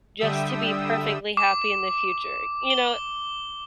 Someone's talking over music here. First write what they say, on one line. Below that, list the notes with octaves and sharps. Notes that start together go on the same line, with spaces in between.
just to be perfectly happy in the future?" You know?
D3 G3 E5 G5 D#6 E6
D6
G7